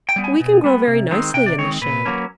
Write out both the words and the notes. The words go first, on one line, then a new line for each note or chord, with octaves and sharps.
"We can grow very nicely in the shade."
G5
G3 B3
G#5
B2
G3 B3
C3
D#3 G#3 C4
C3 G5
D5
D#3 G#3 C4 C#5
A#2 B4
F#3 A#3 C#4